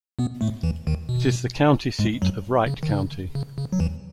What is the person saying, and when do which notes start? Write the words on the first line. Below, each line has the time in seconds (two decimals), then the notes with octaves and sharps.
It is the county seat of Wright County.
0.19 B2 B3
0.41 A2 A3
0.63 E2 E3
0.87 D#2 D#3
1.09 B2
1.99 G#2 G#3
2.22 F#2 F#3
2.66 C#3
2.83 D#3
2.89 C#3
3.35 C#3
3.58 C#3
3.72 F#3
3.79 E2 E3